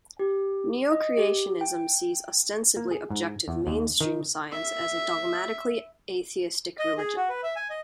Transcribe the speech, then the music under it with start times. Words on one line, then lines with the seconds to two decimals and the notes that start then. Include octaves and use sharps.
Neo-creationism sees ostensibly objective mainstream science as a dogmatically atheistic religion.
0.19 G4
0.92 D#5
1.18 G4
1.61 G5
2.77 A#3
2.91 G#4
3.10 G#2
3.48 E2
3.67 D#2
4.01 D#3
4.52 E5
6.79 D#5
6.98 G#4
7.16 F#4
7.29 B4
7.43 E5
7.56 G#5
7.70 D#5